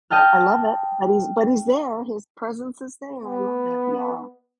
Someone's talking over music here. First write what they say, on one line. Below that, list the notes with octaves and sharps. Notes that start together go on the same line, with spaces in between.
I love it. But he's but he's there. His presence is there. I love it, yeah.
D#5 G5 A5 F6
B3